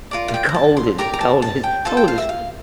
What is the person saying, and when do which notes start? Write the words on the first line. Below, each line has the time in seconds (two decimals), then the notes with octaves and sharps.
And cold is cold is cold is
0.11 F4 A#4 D5
0.28 F5
0.34 G5
0.49 A#5
0.54 A5
0.77 C6
0.98 G4 A#4 D5 A#5
1.13 A#5
1.21 A5
1.42 A5
1.64 G5
1.85 F4 A4 C5 A5
1.97 G5
2.08 F5
2.18 E5
2.29 F5